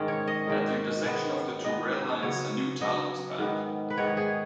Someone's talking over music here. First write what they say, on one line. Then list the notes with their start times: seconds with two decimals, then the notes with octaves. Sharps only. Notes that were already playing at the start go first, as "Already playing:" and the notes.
At the intersection of the two rail lines, a new town was planned.
Already playing: G#2 D#3 G#3 C#4 D#4
0.08 C#5
0.27 D#5
0.47 G#2 D#3 G#3 C#4
1.05 D#3 G#3 B3
1.64 D#3 G#3 B3 D#5
2.22 C#3 F#3 B3 C#5
2.80 C#3 F#3 B3 D#5
3.39 G#2 D#3 B3
3.90 B4
3.97 G#2 D#3 B3 C#5
4.17 G#4